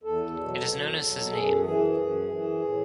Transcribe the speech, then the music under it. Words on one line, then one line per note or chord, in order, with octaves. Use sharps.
It is known as his name.
E2 A4
B2 F#3
E2
B2 F#3
F#2 G#4
E3 G#4
F#2
E3
A2